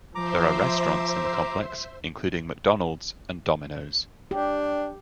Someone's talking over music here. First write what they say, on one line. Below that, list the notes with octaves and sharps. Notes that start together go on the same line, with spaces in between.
There are restaurants in the complex including McDonald's and Domino's.
F3 C5 E5 A#5 C6 D6
D4 G4